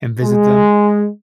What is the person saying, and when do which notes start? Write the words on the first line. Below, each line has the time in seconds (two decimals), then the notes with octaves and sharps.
and visit them.
0.23 G#3